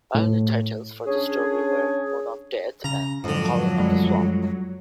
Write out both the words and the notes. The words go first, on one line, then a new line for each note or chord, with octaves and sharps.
Early titles for the story were "Moon of Death" and "Horror of the Swamp".
A2
C#4 D4 G#4
C#3 A#5
F2 G#2 D3 F#3
F#2 G3 G#3